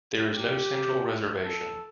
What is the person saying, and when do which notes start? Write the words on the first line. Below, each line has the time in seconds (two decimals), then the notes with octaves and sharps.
There is no central reservation.
0.35 G4
1.44 A4